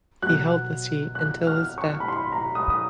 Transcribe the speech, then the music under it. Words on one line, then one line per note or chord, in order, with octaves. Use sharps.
He held the seat until his death.
B2 F#3 F#6
F#6
F6
C#6
B5
C6
A#5
D#6
D#6